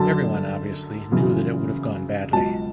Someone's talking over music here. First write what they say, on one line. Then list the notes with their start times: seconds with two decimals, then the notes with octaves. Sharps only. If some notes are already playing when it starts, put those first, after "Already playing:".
Everyone, obviously, knew that it would’ve gone badly.
Already playing: F#2 D3 F#3 A5
1.12 F#2 C#3 E3
2.32 C#2 B2 F#3 A5